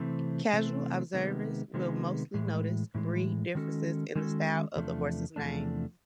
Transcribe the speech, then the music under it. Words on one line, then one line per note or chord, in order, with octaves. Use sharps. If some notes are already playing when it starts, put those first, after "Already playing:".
Casual observers will mostly notice breed differences in the style of the horse's mane.
Already playing: C3 E3 A3 C4
C3 E3 A3 C4
C3 D#3 G#3 B3
C3 D#3 G#3 B3
A2 E3 G#3
A2 E3 G#3
D#3 G#3 C#4 F#4 A4
D#3 G#3 C#4 F#4 A4
E2 C3 F3 A3 D4
E2 C3 F3 A3 D4